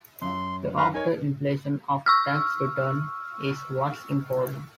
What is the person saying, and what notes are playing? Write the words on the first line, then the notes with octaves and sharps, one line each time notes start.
The after-inflation, after-tax return is what's important.
F#2 C6
B4 F5 A#5
D#4 A#4 C#5 G#5
C#6 E6 F6